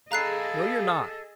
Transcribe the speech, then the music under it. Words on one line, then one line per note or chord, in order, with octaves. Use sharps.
"No, you're not."
G#4 A4 D#5 F5 A#5 B5 F#6 C7